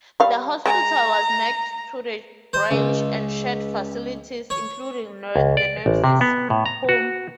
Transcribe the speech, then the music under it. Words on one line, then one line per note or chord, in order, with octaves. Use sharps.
The hospital was next to the Grange and shared facilities, including the nurses' home.
G3 F5
G#3 G#5 A#5
C5
C#2
C#5
C#2
D5
A1
C3
B3
A2
A#5
F#4